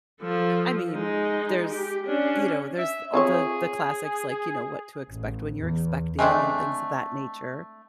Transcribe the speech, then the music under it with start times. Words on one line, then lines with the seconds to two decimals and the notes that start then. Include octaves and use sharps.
I mean, there's you know, there's a the the classics like, you know, What to Expect When You're Expecting and things of that nature.
0.21 F3 A4
0.93 G#3 D#4
1.69 G4
2.06 C#4 D4
2.79 E5
3.14 C4 F4 G#4 C#5
5.08 A1
5.59 E2
6.19 G#3 A3 C4 D4